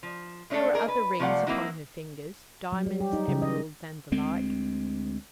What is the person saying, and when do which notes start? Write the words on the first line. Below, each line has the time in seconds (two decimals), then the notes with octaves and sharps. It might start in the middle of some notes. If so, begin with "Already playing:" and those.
There were other rings upon her fingers--diamonds, emeralds, and the like.
0.03 F3
0.50 G#3 A3 C#4 D4 A4
0.74 G#4 A#4 D5 D#5
0.88 B4
1.20 C3 F3 A3 D5 F5 F#5
1.47 F#3 A#3 C4 D#4 E4 F#4
2.72 F#3
2.86 G3
3.00 G4
3.13 D#4
3.28 C#3
3.42 D#5
4.12 D2 G#3 C4